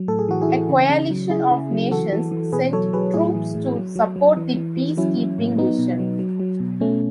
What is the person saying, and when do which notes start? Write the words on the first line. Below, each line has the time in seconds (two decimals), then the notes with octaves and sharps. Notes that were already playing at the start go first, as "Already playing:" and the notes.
A coalition of nations sent troops to support the peace keeping mission.
Already playing: F#3
0.08 A2 A4
0.19 G#4
0.28 E3 F#4
0.41 E4 G#4
0.49 E3
0.69 C#3
0.89 C#3
1.10 F#3
1.30 C#3 E4 G#4
1.51 C#3
1.71 F#3
1.91 E3 F#4 A4
2.12 E3
2.32 E3
2.52 B2 G#4 B4
2.73 F#3 A4 C#5
2.93 F#3 G#4 B4
3.14 A2 E4 G#4
3.35 E3
3.55 A2
3.76 F#3
3.96 F#3
4.16 F#3
4.37 E3
4.57 E3
4.77 E3
4.97 F#3 C#4 E4
5.18 F#3
5.38 A2
5.58 F#3 B3 D#4
5.79 B2
5.99 F#3
6.19 F#3
6.40 F#3
6.60 B2
6.80 B2 A3 C#4